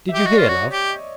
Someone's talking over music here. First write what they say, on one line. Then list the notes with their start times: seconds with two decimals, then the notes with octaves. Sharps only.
Did you hear, love?
0.09 E5
0.14 G4
0.19 D#5
0.26 F#4
0.31 D5
0.38 F4 C#5
0.49 F#4
0.72 G4